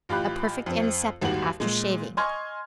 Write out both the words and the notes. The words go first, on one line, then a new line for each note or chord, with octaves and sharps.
A perfect antiseptic after shaving.
A1 F4 G4 B5 F#6
F2 C4
G#1 D#2 G3 F#4 F#7
A#2 G#3
D#5 G#5 C6 C#6 F6 G#6